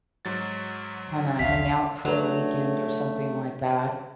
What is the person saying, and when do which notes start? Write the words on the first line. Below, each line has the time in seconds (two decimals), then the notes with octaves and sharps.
kinda hang out for a weekend or something like that,
0.25 G#2 F#3 A6
1.39 A#1 D#2 E5 F5 B6
2.05 F#3 A3 D4 F#4 B4